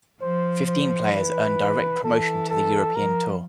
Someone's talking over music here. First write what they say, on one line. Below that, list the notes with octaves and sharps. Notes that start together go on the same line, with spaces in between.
Fifteen players earn direct promotion to the European Tour.
F3 C5
C5
E3 B4
E3 A4
A4
F3 A#4